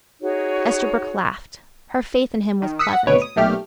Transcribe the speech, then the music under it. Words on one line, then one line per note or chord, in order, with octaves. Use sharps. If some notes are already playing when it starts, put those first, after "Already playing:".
Esterbrook laughed; her faith in him was pleasant.
D#4 F#4 G#4 C#5
D#3
D#6 E6 F#6 B6 C#7
F#5
G#1 D2 B2 B4 C#5 D7
D#6
B1 A#2 A3 G4 F6